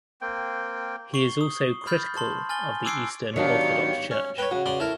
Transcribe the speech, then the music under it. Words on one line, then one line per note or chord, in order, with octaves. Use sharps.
He is also critical of the Eastern Orthodox Church.
A#3 C4 G5
C#6 C7 F#7 G7
D#6
B5 F6 G6 A6
A5 C6 F#7
G#5 F6 A6 F#7 G7
D6 E6 F#6 G#6 C7 D7
D#3 F#3 B3 D4 G4 C#5 F5
C#4
B4 C#5 G5
C#3 F#4
C#3 D5 C6
E4 A4 A#4